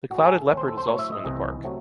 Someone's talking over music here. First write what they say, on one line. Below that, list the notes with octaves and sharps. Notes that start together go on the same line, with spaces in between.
The clouded leopard is also in the park.
A2 G#3 F#4
G#4
A4
D#2 D#3 A3 C#5
C5
A4
C5
A2 F#3 A3 C#5
E5
D#5
C2 C3 E3 A3
C3 F#3 A3